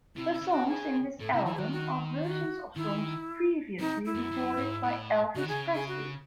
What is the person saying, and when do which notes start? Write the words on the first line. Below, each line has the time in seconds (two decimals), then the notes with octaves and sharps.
The songs in this album are versions of songs previously recorded by Elvis Presley.
0.16 C3 E4
0.33 E4
0.42 C#3
0.51 F#4
0.68 G#4
1.20 A2 A4
1.33 C3 E4
1.46 E3 E4
1.54 G#4
1.59 D#3 F#4
1.72 F#4
2.24 F#4
2.76 D#3 E4
3.79 C3 D#4
4.06 E4
4.15 F#2
4.31 F#2
4.57 G#2
4.83 A2
5.35 C#3 F#4
5.43 D#3
5.49 C#3 G#4
5.75 G#4
5.88 F#4